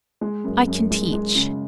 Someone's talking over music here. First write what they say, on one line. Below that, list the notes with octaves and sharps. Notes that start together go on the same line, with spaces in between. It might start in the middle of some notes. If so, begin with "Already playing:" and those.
I can teach.
G#3
F#2
F#2
G#3
G#3
C#3